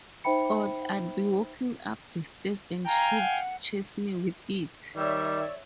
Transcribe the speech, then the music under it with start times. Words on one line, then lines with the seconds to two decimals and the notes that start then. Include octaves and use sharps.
Or I'd be walking up the stairs and she'd chase me with it.
0.24 D#4 C5 E5 G5 B5 C#7
2.86 F5 G5 G#5 A#5
3.20 F#5
4.96 D#3 G3 C#5 D5 E5